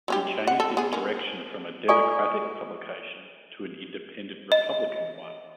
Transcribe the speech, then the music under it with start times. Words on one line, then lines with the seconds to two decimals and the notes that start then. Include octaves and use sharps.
He changed its direction from a "democratic" publication to an "independent republican" one.
0.08 F#3 C#4 G4
0.47 F#5
0.60 A4
0.77 B3 G#4
0.93 C#4 A#4
1.88 F4 A4 D5 G#5 C#6
4.52 D#5